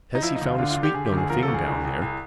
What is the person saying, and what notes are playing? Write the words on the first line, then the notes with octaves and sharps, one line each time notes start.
Says he found a sweet young thing down there.
D#4
F3 E4
D#4
D2 F4
D3 F4
F4
D3
G4
D3 G#4
G4
D2
G#4
F3 A#4
A4
D2
G#4
C2
C2
C2